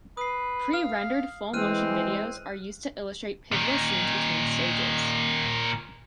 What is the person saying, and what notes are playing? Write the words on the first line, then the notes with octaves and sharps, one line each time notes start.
Pre-rendered full motion videos are used to illustrate pivotal scenes between stages.
B4 D#6 C7
F5 F6
E3 G#3 C4 F6 F#6 D#7
A#2 D#3